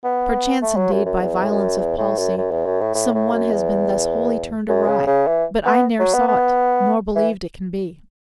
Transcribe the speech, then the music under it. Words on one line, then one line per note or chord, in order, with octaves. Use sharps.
Perchance indeed by violence of palsy Some one has been thus wholly turned awry; But I ne'er saw it, nor believe it can be.
B3
A3
F#3
F#2
F#2
E2
A2
F#2
E2
A2
F#2
F#2
E2
F#2
A2
A2
A2
F#2
E2
F#2
C#3
C#3
E3
B3
F#3
B3
B3
E3